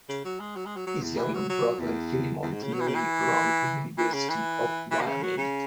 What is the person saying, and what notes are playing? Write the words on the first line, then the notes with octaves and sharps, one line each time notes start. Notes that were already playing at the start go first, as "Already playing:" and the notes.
His younger brother, Philemon Tanui run for University of Wyoming.
C#3
F#3
G#3
F#3
G#3
F#3
F#3
E2
E3
F#3
F#3
E2
E2
G#2
C#3
F#3
E3
C#3
E3
E3
C#3
E3
E3
B2
C#3
F#3
C#3